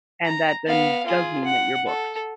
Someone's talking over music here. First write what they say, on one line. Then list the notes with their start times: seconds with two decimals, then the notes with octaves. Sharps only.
and that, then, does mean that you're booked.
0.25 A#5
0.66 B3 F5
1.06 F4 G#4
1.44 F#5
1.86 A4